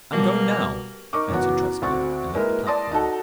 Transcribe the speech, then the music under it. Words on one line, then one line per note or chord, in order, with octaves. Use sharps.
"I'm going now!" answered Trotzky, and left the platform.
B2 F#3 G3 A#3
D#4 A#4 C#6 D6
F#2 C#3 E3 B3 F#4
D2 C4 F#4 C#6 A6
G#3 A#3 E4 A#4 B4
D5 A5 C6 D#6 A#6
D#4 F#4 A4